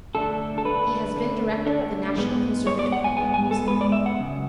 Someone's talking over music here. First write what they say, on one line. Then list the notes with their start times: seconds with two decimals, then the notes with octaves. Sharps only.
He has been director of the National Conservatory of Music.
0.15 D3 A3 D4 A4
0.58 A4
0.65 D3 A3 D4 B4
1.16 D3 A3 D4
1.66 D3 A3 D4
2.17 G#2 G#3 B3
2.66 G#2 G#3 B3 C#5
2.79 D5
2.92 F#5
3.04 G#5
3.17 G#2 G#3 B3 G#5
3.34 G#5
3.51 A4
3.67 G#2 G#3 B3 B4
3.81 D5
3.92 E5
4.06 F#5
4.18 F#2 C#3